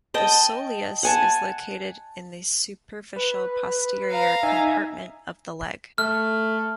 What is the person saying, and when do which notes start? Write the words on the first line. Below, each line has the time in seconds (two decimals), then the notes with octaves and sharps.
The soleus is located in the superficial posterior compartment of the leg.
0.14 D#5 G5 A5
1.03 F#5 G#5 A5
3.16 B4
4.11 F5 A#5
4.43 D#4 E5 G#5
5.98 A3 F6